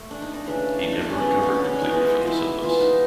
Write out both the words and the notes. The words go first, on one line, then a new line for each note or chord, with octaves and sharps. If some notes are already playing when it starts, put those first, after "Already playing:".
He never recovered completely from this illness.
Already playing: A3
D4
D#4
D4
C#3 E3 A3 D4
D4
D#4
D4
C#4
C#3 F#3 B3
D#4
D4
C#4
C#4
D4
D#4
E3 G#3 B3
F4
E4
E3 G3 B3 F4
D#4